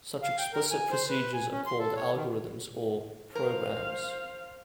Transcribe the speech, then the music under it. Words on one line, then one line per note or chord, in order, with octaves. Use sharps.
Such explicit procedures are called algorithms or "programs".
F5
G5
A#4
G#5
C5
B4
G#5
C#4
C6
A4
C#5
D#3
A#4 C5 F5